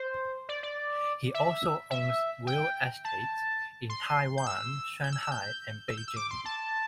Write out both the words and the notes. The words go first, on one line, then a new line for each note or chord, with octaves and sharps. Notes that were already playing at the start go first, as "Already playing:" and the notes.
He also owns real estates in Taiwan, Shanghai, and Beijing.
Already playing: C5
D5
D5
E5
E5
G5
A5
C6
G6
E6
G6
E6
E6
G6
E6
G6
E6
D6
C6
A5